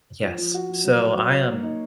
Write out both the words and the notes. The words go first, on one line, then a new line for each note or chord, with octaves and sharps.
Yes. So I am
F3
F3
F#4
F3
F#3
A#4
F#3
C#5
A#3
D#4